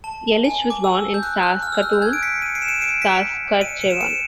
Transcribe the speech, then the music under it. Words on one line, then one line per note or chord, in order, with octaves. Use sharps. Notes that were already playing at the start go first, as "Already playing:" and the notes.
Yelich was born in Saskatoon, Saskatchewan.
A5
G#5
D6
E6
G6
F#6
F#6
F6
E6
F#6
G6
F#6 G#6
D7
B6 C#7
C#7 D#7
C7 D7
E7
C#7 D#7
C7 D7
B6 C#7
C#7 D#7
C#7 D#7
D7 E7
C#7 D#7